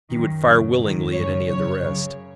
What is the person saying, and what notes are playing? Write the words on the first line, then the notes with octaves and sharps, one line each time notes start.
He would fire willingly at any of the rest.
F#2 D#3
F#2 C#3
G#2
D#3
F#2 C#3 C#5
F#2 C#3 C#5
F#2 C#3